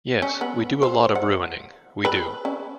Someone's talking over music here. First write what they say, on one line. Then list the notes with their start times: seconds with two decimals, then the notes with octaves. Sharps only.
Yes, we do a lot of ruining, we do.
0.22 C#4
0.41 B3
0.83 C5
1.15 F#5
2.05 B4
2.45 C#4